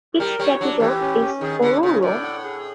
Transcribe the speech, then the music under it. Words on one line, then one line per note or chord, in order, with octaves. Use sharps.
Its capital is Oruro.
G3 A#4
G3 C#5
F#3 D4
E3 G4
C#4
C#4
D#3 G#4
D3 C#4
C#3 C#4
A2 D5
F#5
G#4